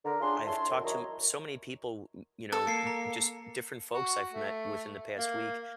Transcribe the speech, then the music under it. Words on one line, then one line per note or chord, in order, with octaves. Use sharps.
I've talked to so many people, n you know, n n just different folks I've met within the past week
D3 A#4
C#4 D4 F4 G#4 C6
E4 C#5 A5 C6
F#2
D#3 F#3 E4 A#4 C#5 D#5
A4
A#3 C7 C#7
A#5
F#4
A3
A#3